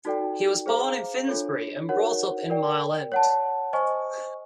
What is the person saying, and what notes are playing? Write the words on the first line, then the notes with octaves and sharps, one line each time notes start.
He was born in Finsbury and brought up in Mile End.
D#4 F#4 A4 D5 G5
G#4 C5 F5 A#5 D6
D4 F4 A4 C#5
D#4 F#4 A#4 C#5 F#5
A#4 D5 G5
C#5 F#5 A5
C5 D#5 G#5 C#6